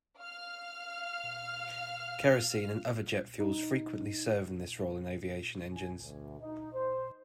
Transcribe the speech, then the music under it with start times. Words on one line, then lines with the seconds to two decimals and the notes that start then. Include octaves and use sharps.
Kerosene and other jet fuels frequently serve in this role in aviation engines.
0.20 F5 F6
3.40 D#4
5.72 G#5
6.01 D2
6.40 D#4
6.73 C5